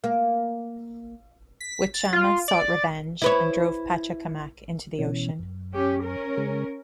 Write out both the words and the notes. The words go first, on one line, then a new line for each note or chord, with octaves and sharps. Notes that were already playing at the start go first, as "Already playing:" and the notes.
Wichama sought revenge and drove Pacha Kamaq into the ocean.
A#3
B6
A6
F4
D5
E4 B4 C#5
B2 E3 C#4
F#2
C#4 G4
C#4 A#4
C#3 G#3